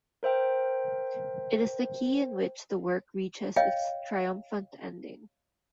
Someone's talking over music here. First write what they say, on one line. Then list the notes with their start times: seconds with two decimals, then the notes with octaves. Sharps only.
It is the key in which the work reaches its triumphant ending.
0.23 A#4 C5 E5 G5
3.56 C#5 D#5 F5 G5